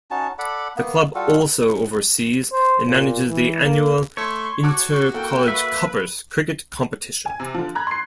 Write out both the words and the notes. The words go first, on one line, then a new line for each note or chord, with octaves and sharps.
The club also oversees and manages the annual inter-college 'Cuppers' cricket competition.
C#4 D#4 F#4 A5
A4 D5 F#5 B5
A#3 B3
G3 F4 F#4 A4
C5
A#2
E3
A#3
A3 C#5 C6
F#4 A5 C#6 D6 F#6
A#3 A4 F#5 G5
B4 E5
G#5
C3
D3 F3
A#5 B5 F#6 G#6
C6 C7